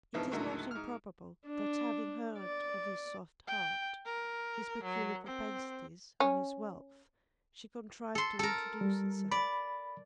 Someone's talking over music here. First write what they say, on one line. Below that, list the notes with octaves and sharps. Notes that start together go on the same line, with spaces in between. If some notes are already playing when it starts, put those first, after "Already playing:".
It is not improbable that having heard of his soft heart, his peculiar propensities, and his wealth, she contrived to introduce herself.
G#2 B2 D3 E3 F3
C#2 A2 D3 D#3 F#3
G#2 F6
D4
D5
G5
A#4
F#3
C4
C#4
A4 C6
A4 A#4
G3
D5 B5